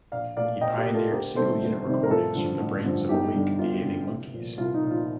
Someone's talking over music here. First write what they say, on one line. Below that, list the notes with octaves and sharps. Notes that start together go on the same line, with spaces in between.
He pioneered single-unit recordings from the brains of awake, behaving monkeys.
A#1 D5 F5
A#2 A3 D5 F5
A#1 D#5 G5
G4 A#4
A#2 A3
F4 A4
D2 G4 A#4
C3 D#3 G3 A4 C5
D2
C3 D#3 G3
A#4
A1 F4 A4
G2 D3 F3
A1
G2 D3 F3
G1 D#4 G4
G2 D3
G1 F4
G2 D3
C2
A#2 F3
C2 F4
D#4
A#2 F3
F4